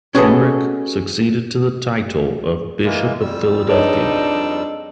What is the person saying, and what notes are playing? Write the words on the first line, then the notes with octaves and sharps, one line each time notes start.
Kenrick succeeded to the title of bishop of Philadelphia.
C#4 F#4 G#4 A4 B4 D#5
E3 G#3 A#3
F2 G3 E6
D4 D#4 G#4 B4 C#5